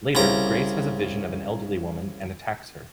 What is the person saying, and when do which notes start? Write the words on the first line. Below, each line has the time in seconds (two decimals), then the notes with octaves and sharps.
Later, Grace has a vision of an elderly woman and attacks her.
0.15 C2 C#3 A#5